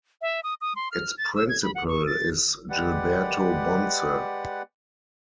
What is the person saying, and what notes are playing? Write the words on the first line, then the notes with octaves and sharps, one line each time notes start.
Its principal is Gilberto Bonce.
E5
D#6
D#6
C6
F6
A6
E6
G#6
B5
F#5
C#6
A6
G#3 G4 B4 D5 F#5